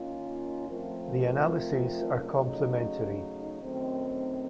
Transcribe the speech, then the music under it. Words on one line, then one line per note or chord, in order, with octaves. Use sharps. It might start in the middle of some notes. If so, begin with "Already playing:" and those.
The analyses are complementary.
Already playing: D#3 A#3 C#4 F4
F3 A3 C4 F4 A#4
C#3 F#3 A3 D#4
F#2 D#3 A3 C4